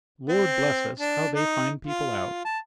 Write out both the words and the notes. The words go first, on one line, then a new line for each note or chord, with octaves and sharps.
Lord bless us, how they find people out!
C4
D4
D#4
F4
A5